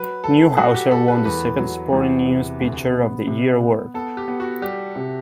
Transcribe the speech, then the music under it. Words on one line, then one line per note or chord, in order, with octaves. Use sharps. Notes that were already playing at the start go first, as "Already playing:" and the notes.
Newhouser won the second Sporting News Pitcher of the Year Award.
Already playing: F#3 B4
A3 A4
F#3 F#4
G4
A3 A4
B4
E2 B4
F#3
E2
C3
D2
B3
C3
B3
B3 A4
G4
B3
F#4
G3 G4
C3